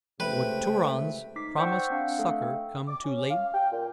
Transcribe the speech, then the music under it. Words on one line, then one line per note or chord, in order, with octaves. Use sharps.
Would Turan's promised succor come too late?
C#2 C3 A3 B4 C5 E5 G5
D#4 D6 B6 C7
C5 D5 F#5 G5 C#6 E6
C4 D4 F5 F#5
A3 A4 F5
G5
D6
C#4
F5
G5
A#2